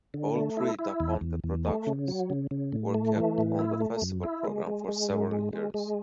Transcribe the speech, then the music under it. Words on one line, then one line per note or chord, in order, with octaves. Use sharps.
All three Da Ponte productions were kept on the festival program for several years.
D3
A3
E4
E4
E2
E2
E2
A3
C#3
F#3
C#3
C#3
A2
A3
E3
A2
E4
A3
F#2
E4
G#3
G#3
G#3
G#2
G#3
G#3
G#3